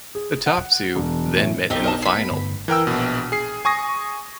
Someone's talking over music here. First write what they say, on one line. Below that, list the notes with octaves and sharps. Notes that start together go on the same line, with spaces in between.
The top two then met in the final.
G#4
F#5
E1
A2
B1 C4 D#4 G4
A#4 D#5 A5
B5 C6
B3
G2 D3 A3
E3 A#4 G5 E6
A#1 B2
G#4 C7
G#5 C#6 D#6 A#6